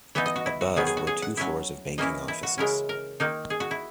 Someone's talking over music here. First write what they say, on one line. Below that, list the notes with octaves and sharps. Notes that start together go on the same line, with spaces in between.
Above were two floors of banking offices.
E3 B3 D#4 E5
D#5
F#4
E4
F#4
D#3 F#3 B3 G#4
G#4
F#4
G#4
F#5
F#3 C#4 E4 E5
E3 A#3 C#4 E4 D#5
E4
F#4
C#3 G#3 C#4 E4 A#4
A#4
D#3 A#3 D#4
G#4
F#4
E4